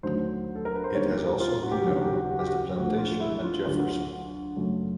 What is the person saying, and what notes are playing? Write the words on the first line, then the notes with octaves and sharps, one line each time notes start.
It has also been known as the Plantation at Jefferson.
D#2 D3 F#3 A3 C5
A4
A#4
B4
C5
D#2 D3 G3 A#3 C#5
G4
F4
F#4
G4
F#4
D#2 C#3 F#3 G4
F#4
G4
F#4
G4
F#4
G4
F#4
D2 D3 F3 A3 F#4
F4
E4
F4
D2 D3 F#3 F4
F#4
F4
F#2 C#3 F#3 A3